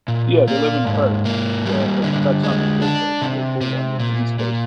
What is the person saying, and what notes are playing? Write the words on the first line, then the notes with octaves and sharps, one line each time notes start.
Yeah, they live in Perth, but but that's not the cool coast. The cool one is the east coast,
A#2
A#3
G#2
A#3
G3
D3
G#3
D4
C3
C3
A#2
A#2